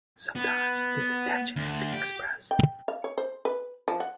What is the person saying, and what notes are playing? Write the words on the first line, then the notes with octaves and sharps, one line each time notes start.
Sometimes, this intention will be express.
B3
D2
G4
G5
F5
C#5
C5
B4
F3
F#5